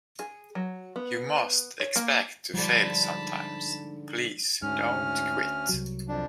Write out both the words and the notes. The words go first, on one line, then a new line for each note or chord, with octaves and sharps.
You must expect to fail sometimes; please don't quit.
G#4
F#3
B3
C#5
A#3
G#2 D3 F3 G3 A5 B5
D2 G#2 C#4 F6
C2 F#3
F2 D4